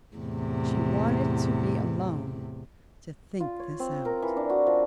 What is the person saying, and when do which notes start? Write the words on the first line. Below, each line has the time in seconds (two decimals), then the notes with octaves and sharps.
She wanted to be alone to think this out.
0.17 E2 A2 C3
3.40 F4
3.59 C#5
3.80 C4
4.05 A#4
4.22 E3
4.37 D4
4.50 F#4
4.67 F3